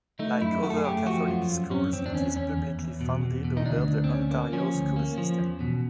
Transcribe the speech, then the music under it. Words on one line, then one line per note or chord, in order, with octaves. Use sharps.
Like other Catholic schools, it is publicly funded under the Ontario school system.
A3 D#4
F#2 E4
A3 F#4
A4
G#4
A3 G4
F3 F#4
F#2 F4
F#2
F#2 C#4
E2 C4
D4
E2 C#4
E2 C#4
E2
E2
B2
E2
B2
D#4
D2 D4
D2
C4
D2 C#4
A#3
F3 C#4
D2
A#3
F3
E2
B2